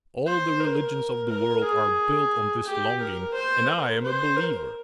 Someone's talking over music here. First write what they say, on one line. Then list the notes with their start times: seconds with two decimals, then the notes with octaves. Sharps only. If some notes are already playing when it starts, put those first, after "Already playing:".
All the religions of the world are built on this longing, and I am a believer.
0.26 C5
0.60 A#4
1.29 A#4
1.63 G#4
2.66 G4
3.01 A#4
3.34 C5
3.69 A#4
4.03 C5
4.37 A#4